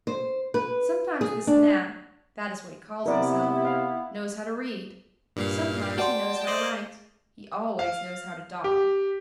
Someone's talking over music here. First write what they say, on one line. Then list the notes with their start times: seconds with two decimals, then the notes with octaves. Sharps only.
Sometimes this gnat--that is what he calls himself--knows how to read; sometimes he knows how to write; he always knows how to daub.
0.07 C5
0.54 B4
1.21 G#4
1.47 D4
3.06 C3 B3 E4 A#4 D5
3.64 F5
5.36 G2 A#2 F5
5.98 F#4 D5 G5 A5 C6
6.47 C5 D5 D#5
7.79 F5
8.64 G4